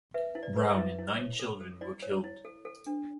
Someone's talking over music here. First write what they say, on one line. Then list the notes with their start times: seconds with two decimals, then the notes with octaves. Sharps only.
Brown and nine children were killed.
0.14 B4 E5
0.35 E4
0.43 D5
0.56 B4
0.70 E5
0.77 E4
0.98 E4
1.19 C#5
1.39 A4
1.60 A4
1.81 E4 D5
2.03 C#5
2.24 E4
2.45 A4
2.65 A4
2.86 D4